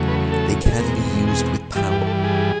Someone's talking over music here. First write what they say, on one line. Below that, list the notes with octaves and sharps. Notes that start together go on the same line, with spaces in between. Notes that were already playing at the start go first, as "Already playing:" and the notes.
They can be used with power.
Already playing: E2 C#3 F#3 A3
B4
A4
G#4
A4
E2 B2 G#3 C4 A#4
G#4
G2 E3 G3 G4
G4
A4
G#4